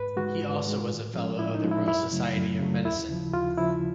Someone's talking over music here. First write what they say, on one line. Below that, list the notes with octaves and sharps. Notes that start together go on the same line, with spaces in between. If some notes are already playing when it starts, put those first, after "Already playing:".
He also was a Fellow of the Royal Society of Medicine.
Already playing: G#2 B4
D#3 G#3 F#4
G#2
D#3 G#3
A2
F3 G#3 C#4
A2 E4
D#4
F3 G#3 C#4
E4
F#2 E4
C#3 F#3 A3
F#2
C#3 F#3 A3
D#2 E4
C#3 F3
D#2 F4
C#3 F3 E4